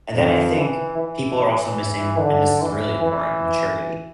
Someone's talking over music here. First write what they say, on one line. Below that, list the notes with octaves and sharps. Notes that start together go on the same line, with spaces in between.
and then I think people are also missing, and this is really important, maturity.
F2
E3
E3
D3
E3
E3